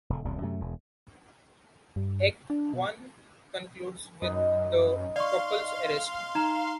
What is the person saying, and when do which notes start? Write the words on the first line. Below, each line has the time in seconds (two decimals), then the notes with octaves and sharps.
Act One concludes with the couple's arrest.
0.10 E1 D3
0.25 D#1 C2 F#2 A#2
0.42 F#2 C3 A3
0.60 E1 E2
1.96 G2
2.50 D4
2.73 B2
4.22 F#2 D#4 B4 D#5
5.16 D5 F5 C6 C#6
6.35 D#4 A#5 E7